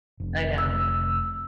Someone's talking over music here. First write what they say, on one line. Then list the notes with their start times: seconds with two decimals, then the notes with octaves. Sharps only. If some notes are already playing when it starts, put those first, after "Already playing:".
I know.
0.20 F1
0.58 E6